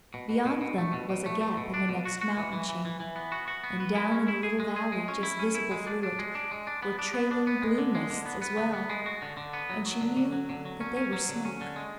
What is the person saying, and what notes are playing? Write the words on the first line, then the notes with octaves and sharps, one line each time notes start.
Beyond them was a gap in the next mountain chain and down in the little valley, just visible through it, were trailing blue mists as well, and she knew that they were smoke.
B2
B2
B2
B2
A3
B2
B2
A3
A3
B2
D4
B2
F#4
F#4
E3
E3
E3
E3
E3
B3
F#4
F#4
B3
B3
E4
C#4
E4
G#4
G#3
G#4
G#3
C#4
E4
C#4
E4
G#3
D4
D4
G#3
D4
G#3
D4
B3
D4
B3
D4
B3
G#3
D3
G#3
D3
B3
B3
D3
B3
G#3
F#4
D3
D3
B3
F#3
F#3
D3
D3
F#3
D3
F#3
C#4
C#4
F#3
D3
C#4
D3
G#3